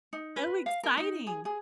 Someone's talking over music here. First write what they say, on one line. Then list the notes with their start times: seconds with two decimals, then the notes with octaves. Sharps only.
so exciting,
0.13 D#4
0.36 B4
0.66 F5
0.83 A#4
0.97 D#4
1.27 G#4
1.45 G#4